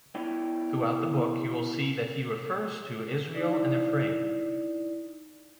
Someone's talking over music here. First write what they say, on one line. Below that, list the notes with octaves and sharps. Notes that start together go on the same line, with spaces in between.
Throughout the book you will see that he refers to Israel and Ephraim.
B3 E4 C#5 D5 G5
D#4 E4 D5